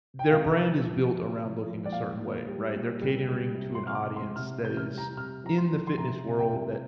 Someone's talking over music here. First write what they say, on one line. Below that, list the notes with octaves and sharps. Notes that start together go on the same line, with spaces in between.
their brand is built around looking a certain way, right? They're catering to an audience that is in the fitness world that
G5
C3 F5
F3
F3
C3
F3
F3
D5
A#2 F5
A#2
G3
A#2
G3
G3
C3
C6
C3 F6
D6
C3
C6
C3 F6
C3 G6
F6
G3
A#5
C3 F6
F3 A#5
C6
F3
C6
C3 A#5
C3
G5
C3